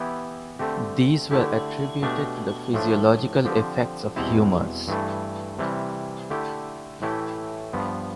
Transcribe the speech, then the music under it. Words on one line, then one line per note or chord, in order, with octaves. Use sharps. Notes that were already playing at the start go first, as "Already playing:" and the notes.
These were attributed to the physiological effects of humors.
Already playing: E3 B3 E4 G4
D3 A3 C4 G4
D3 A3 E4 G4
B2 A3 D4 G4
A2 F3 A3 D4
D3 F3 C4 G4
E2 B2 G3 C4 E4
G2 E3 A3
C3 E3 G3
D3 A3 E4 G4
A2 E3 A3 E4 G4
G2 F3 B3